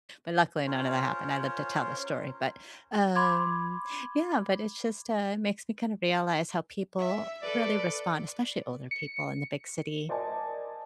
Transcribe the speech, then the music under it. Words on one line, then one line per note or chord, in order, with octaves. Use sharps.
But, luckily none of that happened, I lived to tell the story, but, um Yeah, but it's just, uh, it makes me kind of realize how people really respond, especially older people in the big city.
C#4 F4 A#4 C5 C#5
B5 C6 D6 G#6
E5
A4 B4 D5
C#7
A#4 C5 D5 D#5 G#5 A5